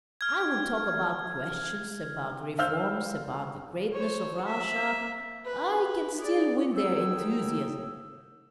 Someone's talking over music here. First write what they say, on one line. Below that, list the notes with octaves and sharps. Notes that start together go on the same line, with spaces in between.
I will talk about questions, about reforms, about the greatness of Russia.... I can still win their enthusiasm!
F6 G#6
C5 F5 E6 F6 G6
C5 C#5
E5
B4
G#4 D5
D#2 F#3 G#4 G5 E6